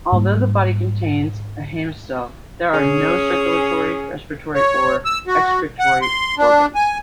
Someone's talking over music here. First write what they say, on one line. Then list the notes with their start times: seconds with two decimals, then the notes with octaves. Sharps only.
Although the body contains a haemocoel, there are no circulatory, respiratory, or excretory organs.
0.12 G#2 G3 A#3
2.73 C#4 G#4
4.55 C#5
5.05 E6
5.27 F#4
5.79 F#5
6.02 C6
6.38 D4
6.75 G#5